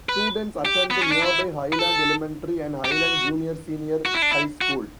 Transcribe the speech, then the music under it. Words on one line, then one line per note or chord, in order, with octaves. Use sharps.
Students attend the nearby Highland Elementary and Highland Junior-Senior High School.
B4
G4
B3
C#4
D4
E4
B4
A4
G4
F#4
F#4
E4
D4
E4
F#4